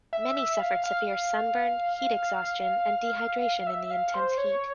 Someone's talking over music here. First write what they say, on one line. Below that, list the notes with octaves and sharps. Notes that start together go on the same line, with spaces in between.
Many suffered severe sunburn, heat exhaustion and dehydration in the intense heat.
E5
E5
F5
F5
E5
F5
C5
C#5